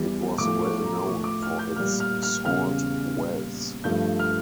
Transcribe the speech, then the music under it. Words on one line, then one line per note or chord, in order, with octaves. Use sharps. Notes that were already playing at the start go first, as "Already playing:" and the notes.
It was well known for its salt wells.
Already playing: E2 E3 G3
A2 F3 A3 D6
C#6
A#5
A2 F3 A3 C#6
D6
F6
G6
A#2 G3 F6
F6
F6
E2 C#3 G3 F6
A#2 G3
G2 F3 A3 G6
F6